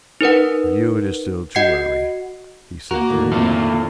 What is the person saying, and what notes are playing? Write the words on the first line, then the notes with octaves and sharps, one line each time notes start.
"For you it is still too early," he said gloomily.
D#4 A#4 B4 F#5
F#4 D#5 F#5 G#6 C7 C#7
A#3 F#4 A#4
A2 D3 D#3
F2 A3 A#3 F4